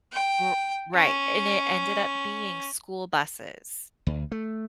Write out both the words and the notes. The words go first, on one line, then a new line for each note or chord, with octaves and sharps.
R right. And it ended up being school buses
G5
C#4
D2
A3